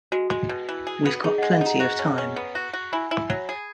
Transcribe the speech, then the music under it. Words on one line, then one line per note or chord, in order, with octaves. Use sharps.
We've got plenty of time.
G#3 F#4
G#3
B2
E3
G#4
B3
D#4 G#4
G#3 D#5 F#5
D#5 F#5
D#4
F#5 A#5
F#4
C#4
C#4
B3
F#4
F#4
E4 G#5 B5
E4
F#3
G#4